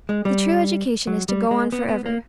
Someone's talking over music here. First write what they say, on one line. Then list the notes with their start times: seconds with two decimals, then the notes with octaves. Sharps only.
The true education is to go on forever.
0.09 G#3
0.25 G3
1.07 F#3
1.29 G3
1.51 G#3
1.72 B3
1.89 B3
2.06 A#3